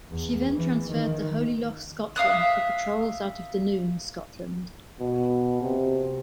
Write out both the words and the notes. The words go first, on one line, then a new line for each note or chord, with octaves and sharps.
She then transferred to Holy Loch, Scotland, for patrols out of Dunoon, Scotland.
E2
E3
D#3
E5 F5 D#6 F#6
B2
C3